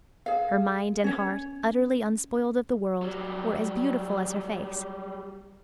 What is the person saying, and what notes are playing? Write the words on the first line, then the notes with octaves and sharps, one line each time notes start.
Her mind and heart, utterly unspoiled of the world, were as beautiful as her face.
G#4 F5
C#4 C#5
F#3 G3